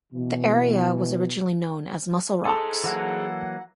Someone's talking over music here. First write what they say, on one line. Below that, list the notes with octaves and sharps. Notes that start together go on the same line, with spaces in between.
The area was originally known as Mussel Rocks.
B2 E3
G#4 A4 C5 A5
E3 F#3 A#3 F#5